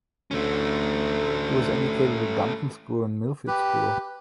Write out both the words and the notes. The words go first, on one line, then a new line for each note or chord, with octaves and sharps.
He was educated at Dumpton School and Millfield School.
D2 A3 C#4
G4 B4